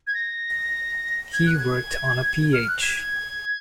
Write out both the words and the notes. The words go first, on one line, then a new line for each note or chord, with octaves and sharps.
He worked on a Ph.
G#6
A#6
G#6
F#6
G#6
F6
F#6
G#6
G#6